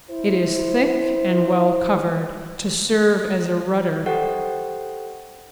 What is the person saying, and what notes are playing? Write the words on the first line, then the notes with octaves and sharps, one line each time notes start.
It is thick and well covered, to serve as a rudder.
E4 C5
G4 A4 C5 D#5 F#5 G5